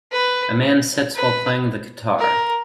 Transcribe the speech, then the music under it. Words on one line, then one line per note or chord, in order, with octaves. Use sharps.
A man sits while playing the guitar.
B4
B4
A#4